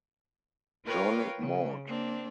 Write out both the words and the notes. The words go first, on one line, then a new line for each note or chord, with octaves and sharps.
John Maude.
F4 A#4 B4 C#5 F5 G5
C#3
A#3 C4 D4